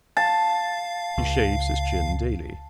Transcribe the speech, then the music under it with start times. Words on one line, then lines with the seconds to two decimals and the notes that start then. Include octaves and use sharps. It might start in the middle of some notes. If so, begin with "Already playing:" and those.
He shaves his chin daily.
0.17 F5 A5
1.18 C#2